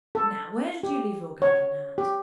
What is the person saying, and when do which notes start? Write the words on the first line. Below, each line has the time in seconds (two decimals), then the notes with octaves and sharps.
Now where did you leave your coat and hat?
0.15 A4
0.83 G4
1.42 C#5
1.98 G4